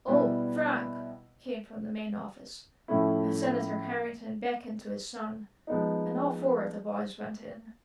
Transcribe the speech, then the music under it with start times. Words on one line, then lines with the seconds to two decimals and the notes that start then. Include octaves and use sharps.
"Oh, Frank!" came from the main office, and Senator Harrington beckoned to his son; and all four of the boys went in.
0.07 B2 G3 B3 E4
2.88 A2 F3 A3 C#4 E4
5.67 F3 G#3 B3 D#4